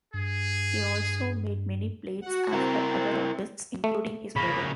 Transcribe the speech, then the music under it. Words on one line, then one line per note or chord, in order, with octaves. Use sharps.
He also made many plates after other artists, including his brother.
G2 G#4
F#4 F#5
C4 E4 A#4
A3
C#3 A#3 B5